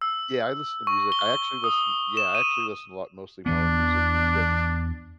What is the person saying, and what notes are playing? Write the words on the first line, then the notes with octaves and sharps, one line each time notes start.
Yeah, I listen to music, I actually listen yeah, I actually listen a lot mostly my own music these days,
E6
C#6
G7
D#6
E7
D#7
E2 E3 B3 D4